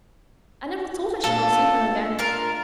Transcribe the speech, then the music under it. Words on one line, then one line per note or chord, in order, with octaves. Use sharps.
I never thought I should not see her again.'
A#2 D4 A4 F5
D4 F4 A#4